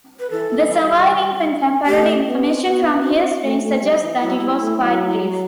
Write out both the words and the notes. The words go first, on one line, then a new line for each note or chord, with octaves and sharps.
The surviving contemporary information from his reign suggests that it was quite brief.
B4
E3 A4
E3
G3
A3 G4
B3
C4
B3 F#4
B3
C4 F#4
E4
F#4
A3
A3
G3
E3
F#3 E4
G3
A3
F#3